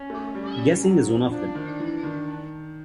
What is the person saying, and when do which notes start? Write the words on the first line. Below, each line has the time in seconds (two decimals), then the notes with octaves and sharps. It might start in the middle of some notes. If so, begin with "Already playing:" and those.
Guessing is one of them.
Already playing: C#4
0.10 A3
0.35 G3
0.58 G3
0.83 F#3
1.07 F3
1.30 F3 D4
1.55 D#3
1.80 E3
2.03 D#3